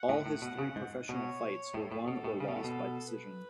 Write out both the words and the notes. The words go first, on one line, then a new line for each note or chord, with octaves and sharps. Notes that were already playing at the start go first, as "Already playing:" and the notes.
All his three professional fights were won or lost by decision.
Already playing: F#5
A2
A2
B2
C#3
G#2
B2 C#5
A2 A4
A2
B2 A4
A2
C#3 A4
B2
A2
B2
B4